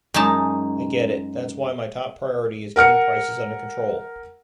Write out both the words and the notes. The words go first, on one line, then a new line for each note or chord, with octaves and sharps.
I get it. That’s why my top priority is getting prices under control.
F#2 G#3 D#4 A5
A#4 F#5 F6 C#7